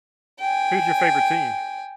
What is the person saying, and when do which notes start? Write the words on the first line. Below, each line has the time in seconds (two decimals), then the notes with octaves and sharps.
Who's your favorite team?
0.40 G5 G#5